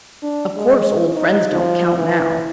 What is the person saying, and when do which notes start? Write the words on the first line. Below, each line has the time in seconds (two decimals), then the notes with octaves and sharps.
Of course old friends don't count now.
0.23 D4
0.57 G#3
1.16 D#4
1.53 F3
1.98 E3